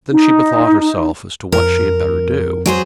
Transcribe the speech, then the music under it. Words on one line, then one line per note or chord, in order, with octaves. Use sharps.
Then she bethought herself as to what she had better do.
D#4
F2 A#4
F#3 G#4 C5